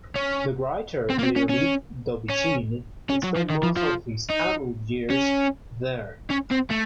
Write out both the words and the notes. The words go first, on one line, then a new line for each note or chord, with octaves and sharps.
The writer Leonid Dobychin spent most of his adult years there.
C#4
C4
A#3
C4
C#4
C#4
C#4
C#4
F#3
F3
D#3
F3
F3
D#4
C#4
C#4
C4
A3